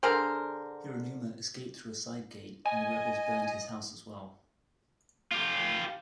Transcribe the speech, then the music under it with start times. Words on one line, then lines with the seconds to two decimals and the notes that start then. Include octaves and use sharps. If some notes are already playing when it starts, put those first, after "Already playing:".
Hiranuma escaped through a side gate and the rebels burned his house as well.
0.03 D3 G#4 A#4 C5
2.66 D#5 G#5
5.32 F4 G4